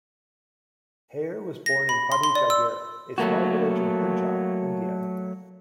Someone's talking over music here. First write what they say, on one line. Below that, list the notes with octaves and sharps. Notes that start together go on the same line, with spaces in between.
Hayer was born in Paddi Jagir, a small village in Punjab, India.
A#6
B5
C6
C6
D5
E6
F#3 A3 A#3 F#4